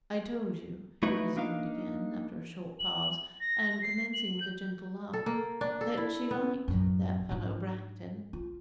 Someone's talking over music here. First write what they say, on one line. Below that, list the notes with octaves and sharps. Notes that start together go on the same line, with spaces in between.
'I told you,' he resumed again, after a short pause, and commencing with a gentle laugh, 'that she liked that fellow, Bracton.'
A3 D#4 E4 F#4 B4
A#3 D4 D#4 F5
F#7
A#6
C7
F#7
G6
A4
A#3
D4
A4
E4
B3
A1 F#2
G#2 D4
F4